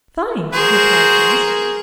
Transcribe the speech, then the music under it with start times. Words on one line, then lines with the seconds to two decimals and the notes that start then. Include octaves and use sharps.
"Fine," replied Grace.
0.53 F#4 G#4 A#4 C5